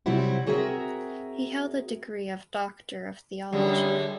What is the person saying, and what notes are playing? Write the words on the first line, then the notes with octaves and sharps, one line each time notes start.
He held the degree of Doctor of Theology.
C3 F#3 G3 C4 E4 F#4
C4 F#4 G#4 A#4 E5
F#2 D3 G3 G#3